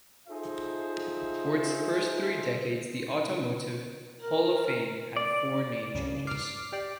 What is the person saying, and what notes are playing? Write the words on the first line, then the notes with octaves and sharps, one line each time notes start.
For its first three decades, The Automotive Hall of Fame had four name changes.
D#4 F4 G#4 A4 C5 E5
A#4
D5
C#2 G2 C#3
D6 F6 C7
G4 D5